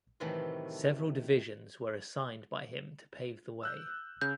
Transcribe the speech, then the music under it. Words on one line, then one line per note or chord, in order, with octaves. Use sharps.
Several divisions were assigned by him to pave the way.
A2 C3 D#3 E3 F#3 A3
E6 F#6 G6
C#3 G6